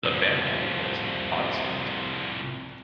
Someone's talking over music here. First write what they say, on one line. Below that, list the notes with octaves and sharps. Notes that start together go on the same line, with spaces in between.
The family was Protestant.
C2 F3